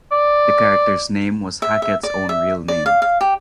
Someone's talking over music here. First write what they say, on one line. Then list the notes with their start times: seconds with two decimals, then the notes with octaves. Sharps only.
The character's name was Hackett's own real name.
0.12 D5
1.62 E5
1.82 E5
2.03 D5
2.29 E5
2.68 D5
2.86 F5
3.02 F5
3.21 G4